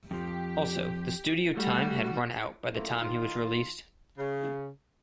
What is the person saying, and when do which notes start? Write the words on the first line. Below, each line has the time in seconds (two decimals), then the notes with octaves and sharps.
Also, the studio time had run out by the time he was released.
0.11 F2 F3 G4
1.57 G3 A3 F#4
2.74 F#2 A3 A#3 E4 F4
3.00 D#3 D#4 F4
4.18 C#3